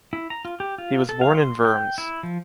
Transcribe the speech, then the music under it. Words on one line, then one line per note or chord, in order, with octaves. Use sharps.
He was born in Worms.
E4
A#5
F4
G4
F4
A4
F5
C6
G5
E4
F3